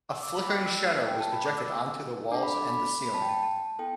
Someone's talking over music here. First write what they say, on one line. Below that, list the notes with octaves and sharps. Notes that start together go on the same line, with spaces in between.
A flickering shadow was projected onto the walls and the ceiling.
E6
D6
B5
G5
E6
A3 E4 G4
G5
A5
B5
D6
E6
D4 A4 D6
B5
D6
B5
B5
A5
G5
A5
A5
B3 E4 A4 G5